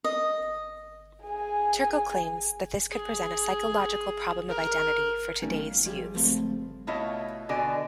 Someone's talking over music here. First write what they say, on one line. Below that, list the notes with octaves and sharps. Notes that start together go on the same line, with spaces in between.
Turkle claims that this could present a psychological problem of identity for today's youths.
D#5
G#4 G#5
G#4
A#4
F#3 G3 A3 C#4 D#4
A#3
F3 G3 G4 G#4
C#2 G2 F3 A3 C4
B2 A3 E4 F4 C#5 D#5
B2 D3 F#4 D5 D#5 G#5